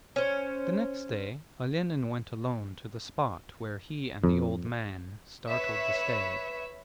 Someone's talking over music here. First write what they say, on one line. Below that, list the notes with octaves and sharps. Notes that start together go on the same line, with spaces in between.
The next day Olenin went alone to the spot where he and the old man startled the stag.
C#4 C5
F2
B4 C#5 E5